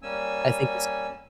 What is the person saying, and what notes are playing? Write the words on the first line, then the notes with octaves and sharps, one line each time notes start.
I think it's
G3 A#3 C#4 G#5 E6